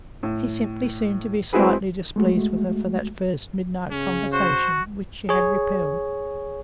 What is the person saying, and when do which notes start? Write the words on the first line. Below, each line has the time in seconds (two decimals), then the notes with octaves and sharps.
He simply seemed to be slightly displeased with her for that first midnight conversation, which she had repelled.
0.23 A2
1.53 G#3 C4 E4 F#4 G#4 B4
2.16 G#3 A3 F#4
3.91 C#3 C#4
4.33 F#4 C5
5.29 G#4 C#5